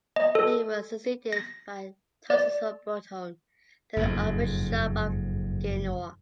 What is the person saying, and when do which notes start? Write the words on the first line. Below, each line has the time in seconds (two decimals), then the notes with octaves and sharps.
He was succeeded by Tarcisio Bertone, then Archbishop of Genoa.
0.16 D#5
0.35 A4
1.33 A#6
2.30 D5
3.97 F#1 F2 G#2